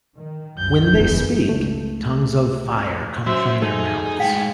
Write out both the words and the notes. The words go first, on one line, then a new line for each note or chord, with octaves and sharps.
When they speak, tongues of fire come from their mouths.
D#3
C2 F#2 G6
E1 A1 E2 A2 E3
C#2 A3
F#2 F#4 C5 E5 E6
A3 D#4 G#4
A2 G#3 F5 G5